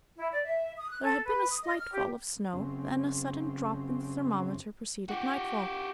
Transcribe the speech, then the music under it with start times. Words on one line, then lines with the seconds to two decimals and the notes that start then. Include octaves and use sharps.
There had been a slight fall of snow, then a sudden drop in the thermometer preceded nightfall.
0.16 E4
0.31 D5
0.44 E5
0.78 D#6
0.90 F#6
1.03 A4
1.25 B4
1.49 D#6
1.63 D#5
1.77 F6
1.92 G4
2.53 F#2 C#3 C4
5.09 F#4 G4